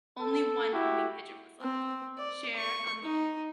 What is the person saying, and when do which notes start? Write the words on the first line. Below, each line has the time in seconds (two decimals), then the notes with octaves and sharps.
Only one homing pigeon was left: "Cher Ami".
0.20 A4
0.73 E4 F#4 G4
1.61 C4
2.18 D5
2.56 C#6
3.03 D#4